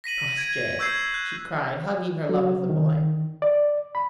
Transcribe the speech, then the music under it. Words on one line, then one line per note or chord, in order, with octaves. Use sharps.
"Crossjay!" she cried, hugging her love of the boy.
A#6 B6 D#7 F#7
G#6 D7
C#6 E6 G6 G#6 C7
F#6
F#3
D#3
D5
B5